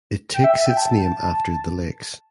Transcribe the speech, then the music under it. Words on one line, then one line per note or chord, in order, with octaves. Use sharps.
It takes its name after The Lakes.
G5
E5
E5
G5
A5